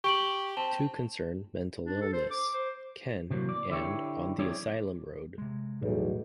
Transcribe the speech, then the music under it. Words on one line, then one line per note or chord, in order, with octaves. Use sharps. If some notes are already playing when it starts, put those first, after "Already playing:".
Two concern mental illness - "Ken" and "On the Asylum Road".
G4 C#6 D7 F#7
C4 A5
D4
A4
C5
D6
C5
C3 E3 F#3 A#3
D5
D3 E4 G4 C#5
F3 C4 E4 G#4 C#5 D5
C3 G#3
B1 E2 A2 G3